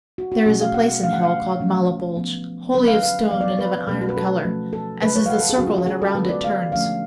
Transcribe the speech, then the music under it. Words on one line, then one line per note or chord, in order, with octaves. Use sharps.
There is a place in Hell called Malebolge, Wholly of stone and of an iron colour, As is the circle that around it turns.
F#4
F#4
B2 F#3 A3 C#4 G#4
F5
F#5
D3 F#3 A3 C#4 F5
F#5
F5
F3 A3 C#4
F3 B3
D3 F#3 C#4 B4
F5
F5
F3 B3 F5
D5
C#5
B4
B2 F#3 A3 C#4 A4
F#4
B4
A4
F3 A3 C#4
A4
C#3 F#3 C#4 B4
C#5
F5
F#5
A4
G#4
D3 F#3 C#4 F#4
F4
F#4
G#4
A4
D3 G#3 B3 B4
D5
F5
D3 F3 A3 C#4 F5